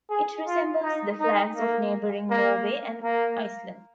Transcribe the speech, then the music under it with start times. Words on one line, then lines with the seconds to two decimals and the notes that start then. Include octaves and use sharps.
It resembles the flags of neighbouring Norway and Iceland.
0.10 G#4
0.48 F4
0.83 D#4
1.21 D#4
1.57 A#3
2.30 A#3
3.03 A#3